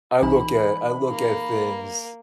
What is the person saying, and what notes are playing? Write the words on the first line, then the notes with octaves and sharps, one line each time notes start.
I look at I look at things
C2 E3 D#4 G#5 B5
A#3